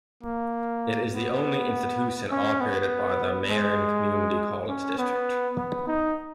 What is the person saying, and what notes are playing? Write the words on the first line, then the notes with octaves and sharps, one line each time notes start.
It is the only institution operated by the Marin Community College District.
A#3
B3
C#4
B3
G#3
C#4
B3
B3
D#4